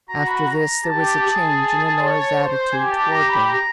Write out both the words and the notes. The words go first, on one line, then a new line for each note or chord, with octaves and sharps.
After this, there was a change in Honora's attitude toward her.
F#4 A#5
B5
A#5
G4 A5
G#4
C#5
C5
G4 G#5
A5
A#5
B5
A#5